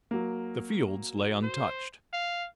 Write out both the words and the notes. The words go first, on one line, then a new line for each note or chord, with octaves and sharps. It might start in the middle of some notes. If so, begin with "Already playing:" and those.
The fields lay untouched.
F#3 A#3
C5
F5